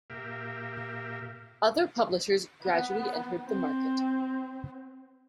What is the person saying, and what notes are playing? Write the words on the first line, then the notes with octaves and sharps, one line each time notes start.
Other publishers gradually entered the market.
A#2 G4 A#4 E5 F5
B3
C4